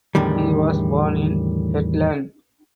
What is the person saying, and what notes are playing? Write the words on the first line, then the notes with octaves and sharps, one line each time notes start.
He was born in Hetland.
E2 A2 D3 D#3 G3